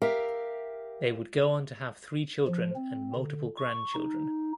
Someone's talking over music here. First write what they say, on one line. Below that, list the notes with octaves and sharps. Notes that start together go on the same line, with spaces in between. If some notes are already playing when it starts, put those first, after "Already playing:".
They would go on to have three children and multiple grandchildren.
G4 A#4 E5 F5
F3
C4
D3
C#6
D#4